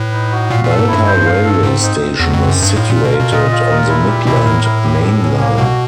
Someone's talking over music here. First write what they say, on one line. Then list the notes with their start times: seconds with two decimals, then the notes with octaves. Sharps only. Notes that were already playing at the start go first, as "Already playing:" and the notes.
Belper railway station is situated on the Midland Main Line.
Already playing: A2 B4
0.12 D#4
0.32 F#4
0.50 A#2 F5
0.65 A#2 A4
0.79 G#2
0.88 E4
0.93 G2
1.07 C5
1.25 F5
1.45 A4
1.63 G#2 C4
1.82 D#4
2.01 C4
2.20 E2 F#4
2.33 F2
2.39 C4
2.48 F#2
2.57 D#4
2.62 G2
2.76 A2 F4
2.90 A#2
2.95 A#4
3.04 B2
3.14 F4
3.19 B2
3.32 A#2 D#5
3.51 F4
3.70 A#4
3.89 E4
4.08 G4
4.27 B2 E4
4.36 A#2
4.46 A2 A#4
4.64 E4
4.83 G4
5.02 A4
5.21 C#4
5.40 A#3
5.58 B2 F#4